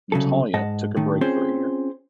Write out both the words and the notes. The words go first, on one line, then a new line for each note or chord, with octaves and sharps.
Natalia took a break for a year.
C2 C#3 F#3 A4
G#2 D#5 F#5 A5
A2 D#3 A3
C4 C#4 F4 G#4 C5